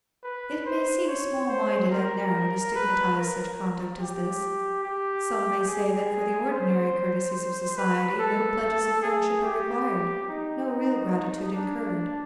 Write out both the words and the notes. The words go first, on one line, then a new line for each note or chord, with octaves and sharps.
It may seem small-minded and narrow to stigmatize such conduct as this. Some may say that for the ordinary courtesies of society no pledges of friendship are required, no real gratitude incurred.
B4
C5
C#5
C5
A#4
B4
A#4
G4
G4
G#4
C5
B4
A4
G#4
G4
D#4
D#4
D4